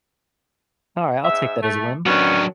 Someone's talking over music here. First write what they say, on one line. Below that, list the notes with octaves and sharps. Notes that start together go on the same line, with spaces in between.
Alright. I'll take that as a win.
G#2 E5
A3
D#3 F#3 B3 C#4 D4